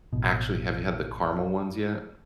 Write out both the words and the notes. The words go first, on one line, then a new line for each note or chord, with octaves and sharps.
Actually, have you had the caramel ones yet?
A1 B2